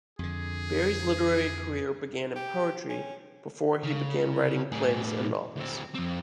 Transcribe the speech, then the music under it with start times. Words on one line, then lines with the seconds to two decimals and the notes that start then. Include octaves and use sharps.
Barry's literary career began in poetry before he began writing plays and novels.
0.19 F2 D3 G#4
2.36 G4
2.89 C#4
3.83 C#3
4.72 A2 G#4
5.56 D2 C4
5.95 F2 C4